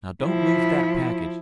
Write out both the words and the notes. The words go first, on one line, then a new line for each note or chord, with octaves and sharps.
Now don't lose that package.
F3 E4